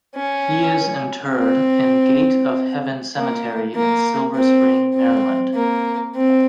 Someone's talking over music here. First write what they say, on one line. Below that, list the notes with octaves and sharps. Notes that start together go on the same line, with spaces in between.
He is interred in Gate of Heaven Cemetery in Silver Spring, Maryland.
C#4
C4
A#3
A#3
C4
C4
A#3
C4